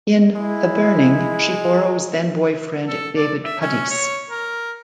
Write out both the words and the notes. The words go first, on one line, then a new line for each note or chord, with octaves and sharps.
In "The Burning" she borrows then-boyfriend David Puddy's.
G#3 E4
A4
D5
E5
C#4
C#5
A#4